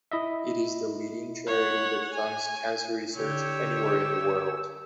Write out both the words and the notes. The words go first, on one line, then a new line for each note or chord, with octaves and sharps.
It is the leading charity that funds cancer research anywhere in the world.
E4 D#5 E5
C#5 F#5
G#5
D3 G4 C#5 E6